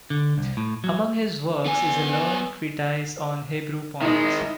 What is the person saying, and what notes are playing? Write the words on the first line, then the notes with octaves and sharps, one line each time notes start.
Among his works is a learned treatise on Hebrew points.
D3
C2
A2
F#3
B3 G#5
D#3 G#3 D#4 E4